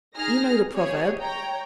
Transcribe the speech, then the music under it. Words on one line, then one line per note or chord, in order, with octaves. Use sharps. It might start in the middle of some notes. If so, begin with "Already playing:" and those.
'You know the proverb.'
D#4 G#4 F6 A#6
G4 G#4 C#5
C#5 G5 A#5